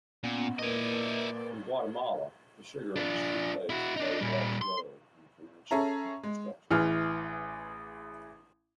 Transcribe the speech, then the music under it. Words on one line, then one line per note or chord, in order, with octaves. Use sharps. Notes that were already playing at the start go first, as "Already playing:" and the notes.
In Guatemala, the Sugar industry plays a very large role in the financial infrastructure.
A#2 B3 C#4 F#5
A#2 E4 A#4 B4 D5 D#5
D4 F4
E4 F#4
D4 D#4
A#2 G3
C6
C#4 G#4 A4 C#5 E5 A#5
G#3
A1 E3 G#4 F6